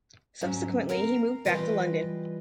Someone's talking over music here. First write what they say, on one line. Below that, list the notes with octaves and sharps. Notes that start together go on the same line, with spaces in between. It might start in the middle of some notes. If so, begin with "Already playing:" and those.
Subsequently, he moved back to London.
D2 G#2 F#3 C#4
C4 A#4 F5 A#5
E3 G3 F4 G4 B4 D#5